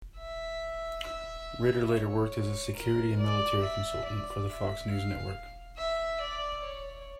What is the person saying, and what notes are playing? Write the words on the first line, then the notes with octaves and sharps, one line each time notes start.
Ritter later worked as a security and military consultant for the Fox News network.
E5
E5
C#5
A#4
D5
E5
D5
E5
F5
E5
D5
C#5